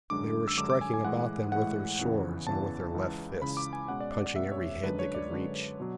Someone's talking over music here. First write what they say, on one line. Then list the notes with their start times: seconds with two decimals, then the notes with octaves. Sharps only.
They were striking about them with their swords and with their left fists, punching every head they could reach.
0.10 F#2 D3 G#3 D4 D6
0.48 E6
0.57 F#2 D3 G#3 D4 D6
0.70 D6
0.81 G#5
0.94 G#5
1.04 A2 E3 G#3 F#5
1.52 A2 E3 G#3 F#5
1.99 E2 C#3 E3
2.46 E2 C#3 E3 A5
2.94 C#2 C#3 E3
3.41 C#2 C#3 E3 B5
3.57 D6
3.73 G#5
3.88 B2 G#3 C#4 F#5
4.00 D5
4.12 D5
4.24 D5
4.36 B2 G#3 C#4 E5
4.52 C#5
4.83 F#2 D3 G#3 D4 B4
4.99 C#5
5.15 D5
5.30 F#2 D3 G#3 D4
5.80 B2 F#3